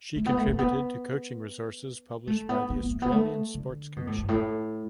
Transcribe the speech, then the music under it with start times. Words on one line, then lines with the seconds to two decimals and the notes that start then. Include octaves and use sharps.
She contributed to coaching resources published by the Australian Sports Commission.
0.16 A3
0.26 B3
0.37 A3
0.48 A3
0.59 B3
2.27 A3
2.49 B3
2.70 B3
2.80 B3
2.91 A3
3.02 B3
3.12 A3
3.55 D3
3.96 B2
4.07 A2
4.18 G2
4.29 A2